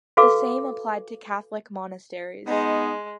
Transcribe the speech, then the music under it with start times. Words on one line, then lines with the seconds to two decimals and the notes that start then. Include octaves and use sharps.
The same applied to Catholic monasteries.
0.17 F#4 A4 B4 F5 D6
2.47 G#3 B3 D#4